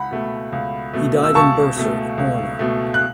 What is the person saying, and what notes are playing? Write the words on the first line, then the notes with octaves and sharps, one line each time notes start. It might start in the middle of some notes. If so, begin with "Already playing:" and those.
He died in Bursard, Orne.
Already playing: C#2 F#5 B5
B2 A3
C#2
B2 A3
E6
C#2 A5 C#6
B2 A3
C#2
B2 A3
F#6